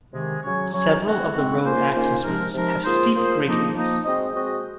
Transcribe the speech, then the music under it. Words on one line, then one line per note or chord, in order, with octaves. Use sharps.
Several of the road access routes have steep gradients.
C3 D#3 G#3
C#3 F#3 C#4 F#4 C#5
C#3 F#3 C#4 F#4 C#5
G#3 C4 F#4
G#3 C4 F#4
D#3 A#3 C#4 F4 C5
D#3 A#3 C#4 F4 C5
C3 F3 G#3 D#4 A#4
C3 F3 G#3 D#4 A#4
A#3 F4 G#4 C5
A#3 F4 G#4 C5
F3 A#3 D#4
F3 A#3 D#4
G#3 C4 F#4 C5 D#5
G#3 C4 F#4 C5 D#5